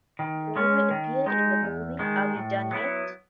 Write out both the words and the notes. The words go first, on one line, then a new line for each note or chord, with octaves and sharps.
Mowry appeared in the movie Are We Done Yet?
D#3
G#3 C#4
D#3
G#3 D#4
E2
D#3 G#3
A2
F#3 B3 E4